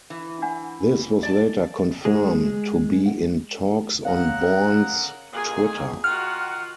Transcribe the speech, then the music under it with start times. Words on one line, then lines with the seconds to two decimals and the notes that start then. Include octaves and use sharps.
This was later confirmed to be in talks on Bourne's Twitter.
0.10 E3
0.42 D4 F#5
1.23 D5 A5
2.05 G#3 G#4
4.05 C#3 A#4 F5 F#5
5.33 A#2 D#3 A#3 G#4 G#5
6.04 D#3 F4 F#4 F#5 F6